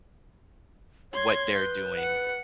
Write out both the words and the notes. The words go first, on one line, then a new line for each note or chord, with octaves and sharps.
what they're doing,
C#5 C6 G#6
B4 G6
F#5 C#7